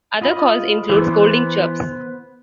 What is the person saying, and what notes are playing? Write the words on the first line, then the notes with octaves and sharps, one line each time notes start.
Other calls include scolding chirps.
F4 D#5 B5
E3 B3 C5